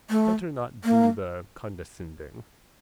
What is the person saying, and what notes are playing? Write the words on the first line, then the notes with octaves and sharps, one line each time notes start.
Better not do the condescending.
A3
A#3